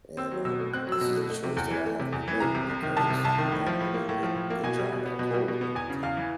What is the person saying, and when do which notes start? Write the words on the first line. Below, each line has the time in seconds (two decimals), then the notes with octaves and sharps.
And, um, this is a choice that I have to make because you're not doing a good job at co-parenting.
0.17 C4 E6
0.31 F#3
0.45 B2 E6
0.60 A3
0.74 C4 F#6
0.87 F#3
0.92 E6
1.01 B2
1.16 A3
1.30 A3
1.43 C3
1.57 E2
1.71 E3
1.86 A3
2.00 C3
2.13 E2
2.28 E3
2.40 C2 A#5
2.55 C3
2.69 C2
2.83 D#3
2.97 C2 A5
3.10 C3
3.24 C2 A5
3.38 D#3
3.52 A2
3.67 F3
3.80 A2
3.94 A#3
4.09 A2
4.23 F3
4.36 A2
4.50 A#3
4.64 B2 G#5
4.78 G3
4.93 B2
5.06 B3
5.19 B2
5.34 G3
5.48 B2
5.61 B3
5.75 E2 G#5
5.90 C#3
6.03 E2 F5
6.17 E3